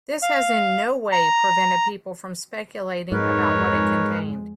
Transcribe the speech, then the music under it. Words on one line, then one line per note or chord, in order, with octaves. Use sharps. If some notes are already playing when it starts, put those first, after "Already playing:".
This has in no way prevented people from speculating about what it contained.
F5
A#5
F2 G#2 G#3 D#4 A#4 B4 C#5